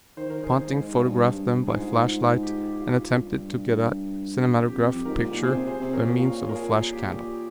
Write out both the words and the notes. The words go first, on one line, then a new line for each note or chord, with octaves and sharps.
Ponting photographed them by flashlight and attempted to get a cinematograph picture by means of a flash candle.
D#3 C5
A#4
D#3 G#4 C5
G#2
G2
G2
G#2 F4 G#4
G4
F4
G2
F2 G4
F2
G#2 G4 A#4
A#2
C3 G#4 C5
G#4 C5
C3
A#4 C#5
A#2
C#5 F5
A#4
F4 G#4
G4